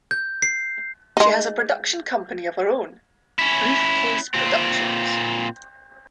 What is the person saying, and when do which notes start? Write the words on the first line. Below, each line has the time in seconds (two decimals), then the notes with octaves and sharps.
She has a production company of her own, Briefcase Productions.
0.11 G6
0.42 C7
1.17 G#3 D#4
3.39 C#4 E4
4.34 A#2 C4